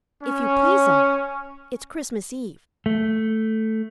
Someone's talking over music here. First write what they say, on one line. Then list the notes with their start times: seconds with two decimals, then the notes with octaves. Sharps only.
"If you please'm, it's Christmas Eve."
0.21 C#4
2.86 A3